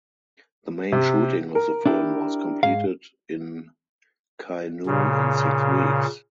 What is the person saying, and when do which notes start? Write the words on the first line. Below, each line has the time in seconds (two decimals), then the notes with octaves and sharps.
The main shooting of the film was completed in Kainuu in six weeks.
0.92 C3
1.55 A#4
1.86 D4 E4 G4
2.63 G#2 G#4 F5
4.86 A#2 C#3